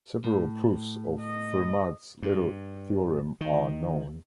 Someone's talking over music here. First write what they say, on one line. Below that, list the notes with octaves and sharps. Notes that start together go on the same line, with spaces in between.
Several proofs of Fermat's little theorem are known.
A2
D#5
G2
D#3